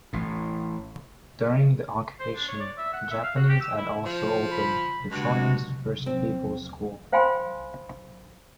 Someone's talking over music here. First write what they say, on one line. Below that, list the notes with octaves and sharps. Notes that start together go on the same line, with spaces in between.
During the occupation, the Japanese had also opened the Shonan First People's School.
A1 A2
C5
D4
C#5
D5
E5
F#5
E5
F5
F#4
G4
E6
E4
F3
B5
G2 G#3 F#4
C4
C5 F5 G5 G#5 B5 C6